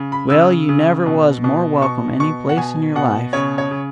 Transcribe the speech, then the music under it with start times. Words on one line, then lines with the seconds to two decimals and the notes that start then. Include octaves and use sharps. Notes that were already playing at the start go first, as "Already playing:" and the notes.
Well, you never was more welcome any place in your life.
Already playing: C#3
0.12 B5
0.30 C#3 E6
0.69 C#3
1.06 B2
1.44 B2
1.82 B2 C#6
2.20 B2 C#6
2.49 F#5
2.57 B2 G#5
2.96 B2 F#5
3.33 C#3 C#5
3.58 C#5
3.71 C#3